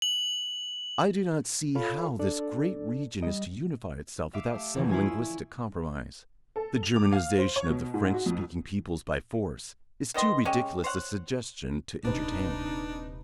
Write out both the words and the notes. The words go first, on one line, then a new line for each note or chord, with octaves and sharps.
I do not see how this great region is to unify itself without some linguistic compromise--the Germanization of the French-speaking peoples by force is too ridiculous a suggestion to entertain.
F#7
F4 A4 C#5 F5 B5
D4 A4 D5
G3 D#5
E5 F5 D6
A3 G4
E2 D3 E3 F3 C#4
E4 F4 G#5 D#6
E6
A4
F7
D6
F5
C5
C#5
B2
G#2
F#4
F2
D#3 B3 D#5 C6
G#3 C#4 G4
C5 C#5 F#5
D#1 C3 D4 D#4 B4